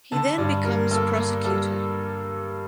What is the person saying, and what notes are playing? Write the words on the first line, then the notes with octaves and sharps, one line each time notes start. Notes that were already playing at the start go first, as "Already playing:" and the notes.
He then becomes prosecutor.
D3 A5
G2 D5
G3 A#4
A#3 A4
A#3
G3 A4